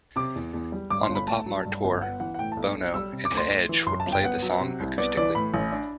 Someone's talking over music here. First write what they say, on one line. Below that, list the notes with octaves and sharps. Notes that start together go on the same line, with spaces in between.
On the PopMart Tour, Bono and the Edge would play the song acoustically.
C3 D6
E2
E2
G3
G2 D6
C6
G1
B5
A3 A5
F#3
G2
G1
B3 F#5
E3 F#5
F#5
A2 G5
A5
B1
B1
G3 E6
C3
D6
D2
C6
A3
E3
F#2 C6
A5
G1
G5
B3 F#5
F#3
C3
C2
B3 D5
E3 D5
A2 B5
A1
D4